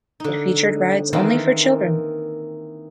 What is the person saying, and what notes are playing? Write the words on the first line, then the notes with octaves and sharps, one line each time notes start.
It featured rides only for children.
D3 D#4
D#3 E3 A#3 C4 B5 C6